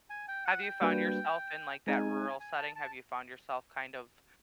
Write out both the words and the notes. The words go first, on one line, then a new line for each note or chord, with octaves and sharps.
Have you found yourself in, like, that rural setting? Have you found yourself kind of,
G#5
G5
F#5
G5
G3 A#3 D4 F#4 B4
G#3 C4 D#4 G#4 G#5
G#5
A5
A5